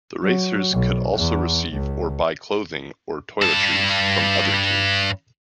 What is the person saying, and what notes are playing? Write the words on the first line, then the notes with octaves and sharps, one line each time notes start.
The racers could also receive or buy clothing or toiletries from other teams.
F#3
B1
E2
C#2
G2 A5